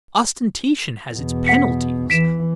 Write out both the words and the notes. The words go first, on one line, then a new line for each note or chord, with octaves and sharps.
Ostentation has its penalties.
E2 B2
F#5 B6 C#7
E3 B6 D7 E7